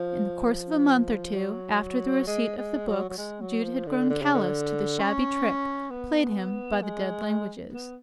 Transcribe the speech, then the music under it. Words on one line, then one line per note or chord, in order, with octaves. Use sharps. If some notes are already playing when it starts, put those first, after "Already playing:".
In the course of a month or two after the receipt of the books Jude had grown callous to the shabby trick played him by the dead languages.
Already playing: F3
F3
F#3
G#3
G#3
F#3
F#3
G#3
F#3
F3
D3
D3
C#3
D3
C#4
B3
G#3
B3